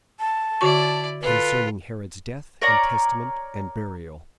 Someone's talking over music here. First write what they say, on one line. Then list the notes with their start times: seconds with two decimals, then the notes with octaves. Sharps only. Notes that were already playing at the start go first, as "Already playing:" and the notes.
Concerning Herod's Death, And Testament, And Burial.
0.20 A5
0.61 D3 E4 F#4 D5 C#6
1.22 F4 A4 B4
2.62 A#4 C#5 D5 A#5